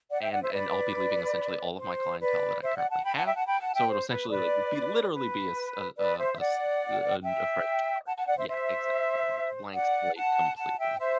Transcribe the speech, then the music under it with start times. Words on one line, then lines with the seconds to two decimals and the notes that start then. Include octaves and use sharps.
And and I'll be leaving essentially all of my clientele that I currently have, so it'll essentially, like, be literally be a s a a a s uh, und a fresh start. Yeah, exactly, like, blank slate completely,
0.10 D5 F#5
0.21 E5 G5
0.31 D5 F#5
0.42 C5 E5
0.52 B4 D5
1.78 C5
2.20 B4 D5
2.62 C5 E5
2.76 D5 F#5
2.90 F#5 A5
3.04 G5 B5
3.14 F#5 A5
3.24 E5 G5
3.35 F#5 A5
3.46 G5 B5
3.59 F#5 A5
3.73 E5 G5
3.87 C5
4.09 B4
4.30 B4 D5
5.13 B4
5.97 B4 D5
6.18 C5 E5
6.34 E5
6.39 D5 F#5
7.22 E5 G5
8.06 F#5 A5
8.16 F#5 A5
8.26 D5 F#5
8.38 C5 E5
8.48 C5 E5
9.73 D5 F#5
10.15 F#5 A5
10.57 F#5 A5
10.78 E5 G5
10.99 C5 E5